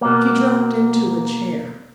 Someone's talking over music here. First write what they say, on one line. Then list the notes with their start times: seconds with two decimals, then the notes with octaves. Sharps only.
She dropped into a chair.
0.01 B2 A#3